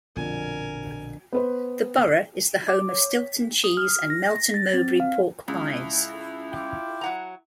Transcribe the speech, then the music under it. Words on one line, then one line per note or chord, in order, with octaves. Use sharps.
The borough is the home of Stilton Cheese and Melton Mowbray Pork Pies.
A#1 F2 B2 D3 F3 A#4 G#5
B3 B4 C5
D6
C#5
B6
D#6
F6
A#6
A#6
A6
C4
F5
C#2 E4
F4 G5 D6
F#3 F#5 A#5